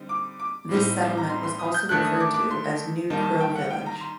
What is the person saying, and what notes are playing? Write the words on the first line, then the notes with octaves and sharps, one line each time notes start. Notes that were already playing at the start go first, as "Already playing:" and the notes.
This settlement was also referred to as New Crow Village.
Already playing: D3 G3 C4 D#4
D6
D6
A2 G3 C4 D#4
A#5
C6
C6
D#6
G6
D#3 A3 D4 F#6
D#6
D6
D6
C6
D#3 G3 A#3 D#4 A5
A5
G5
F#5
G5
A#5
C6